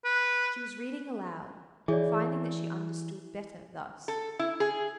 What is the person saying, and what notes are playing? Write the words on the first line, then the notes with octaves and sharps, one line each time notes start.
She was reading aloud, finding that she understood better thus.
B4
E3 G#4 C#5 D5
A4
E4
G#4